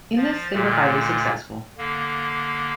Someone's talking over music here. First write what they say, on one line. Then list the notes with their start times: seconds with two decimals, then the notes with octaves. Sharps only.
In this they were highly successful.
0.16 F3 A6
0.53 A#2 D3 A3
1.78 D3 A#3